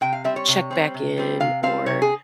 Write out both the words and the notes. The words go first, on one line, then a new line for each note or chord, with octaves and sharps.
check back in, or,
C3 G5
F5
G3 C4 E5
C#5
C3
G3 C4
C3
G3 C4
C3 F5
G3 C4 F5
C3 C#5
G#4